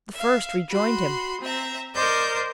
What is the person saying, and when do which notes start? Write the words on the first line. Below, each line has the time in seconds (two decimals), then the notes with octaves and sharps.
The first rejoined him.
0.14 E5 F5
0.69 F#4 B5 C6
1.41 C4 E5 A#5
1.93 A#4 C5 D5 D#5 G6